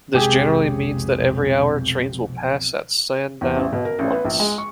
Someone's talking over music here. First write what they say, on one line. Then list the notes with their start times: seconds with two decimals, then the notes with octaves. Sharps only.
This generally means that every hour, trains will pass at Sandown once.
0.15 B1 F2 C3 G#3 G4 G#4
3.41 E2
3.56 A1
3.73 B2
3.85 A#4
3.99 A1
4.12 B3
4.25 A#1
4.39 G#3
4.58 C#6